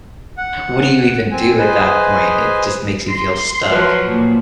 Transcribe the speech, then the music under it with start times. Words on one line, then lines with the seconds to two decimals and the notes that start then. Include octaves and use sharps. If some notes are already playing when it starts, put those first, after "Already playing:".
what do you even do at that point? It, just, makes you feel stuck,
0.37 F#5
1.31 C4 G#5
1.58 G#4 B4 C5 D#5 G#5
3.08 C6 A#6
3.69 F3 F#3 B4 F6
4.06 A#2